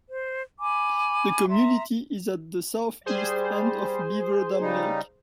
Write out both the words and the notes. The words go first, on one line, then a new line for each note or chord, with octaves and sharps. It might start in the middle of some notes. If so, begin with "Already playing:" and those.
The community is at the southeast end of Beaver Dam Lake.
C5
G#5 B5 D6
E5 A#5 C6
G3 G#4 C5
C#3 G3 D#4